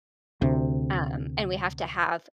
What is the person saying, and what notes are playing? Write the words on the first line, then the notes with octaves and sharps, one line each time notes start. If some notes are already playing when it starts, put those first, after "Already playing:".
um, and we have to have
D2 C3